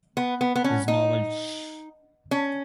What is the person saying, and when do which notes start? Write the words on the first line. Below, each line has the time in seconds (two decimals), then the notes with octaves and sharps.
His novel Shh!
0.17 B3
0.41 B3
0.56 B3
0.64 C#4
0.88 D#4
2.31 C#4